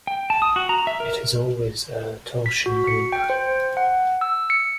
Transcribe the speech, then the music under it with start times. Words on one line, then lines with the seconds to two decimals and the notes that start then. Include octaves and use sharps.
It is always a torsion group.
0.07 G5
0.30 A5
0.42 D#6
0.56 F#4
0.69 A#5
0.87 E5
1.00 A#4
2.46 B6
2.66 F#4
2.87 C#7
3.12 G5
3.30 C5
3.77 F#5
4.21 E6
4.50 C#7